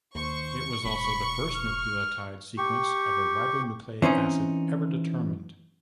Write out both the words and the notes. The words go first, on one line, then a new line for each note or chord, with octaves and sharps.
It was also the first nucleotide sequence of a ribonucleic acid ever determined.
D#2 C5 C#6
E1 B5
F6
G4 C#6
E3 C4 C#4 D#4